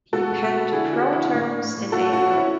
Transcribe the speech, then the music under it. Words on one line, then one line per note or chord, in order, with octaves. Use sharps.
He penned pro terms in April.
B2 F#4 A4
G#3
B2
B3
D3 E4 G#4
D3
F#4
D4
D3 E4
A2
D4
A2
A2
A3 F#4 A4
C#4
F#4
C#4
C#4 E4